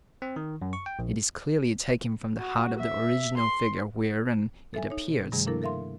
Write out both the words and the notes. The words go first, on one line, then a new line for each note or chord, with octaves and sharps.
It is clearly taken from the heart of the original figure wherein it appears.
C4
D#3
F#2
C#6
G5
A#1
F#4
E5
C6
A4 E5 G#5
D#4 C#5
B2
G2 C3 D#3 G3 A3 G#4
F3 A#3 D4 E4 A4 A#4
A4 A#4 E5 F5 C6